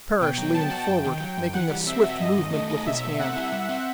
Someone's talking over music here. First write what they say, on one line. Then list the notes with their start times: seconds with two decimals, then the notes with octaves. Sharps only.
Parrish leased forward, making a swift movement with his hand.
0.21 B2 G5
0.38 F#3
0.54 B3 A5
0.70 F#4
0.87 F#2 G5
1.04 D#3
1.20 F#3
1.38 F#2
1.53 E3 F#5
1.70 G3
1.86 C4 E5
2.04 F#4
2.20 G2 D#5
2.37 D#3
2.53 A3
2.70 D#4
2.86 B2 E5
3.03 A3
3.19 C4 F#5
3.36 E4
3.52 G3
3.69 C4